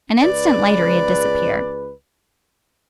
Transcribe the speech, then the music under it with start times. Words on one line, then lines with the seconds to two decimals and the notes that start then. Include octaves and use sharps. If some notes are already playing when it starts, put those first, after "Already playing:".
An instant later he had disappeared.
0.22 C#2 G#4 B4 D5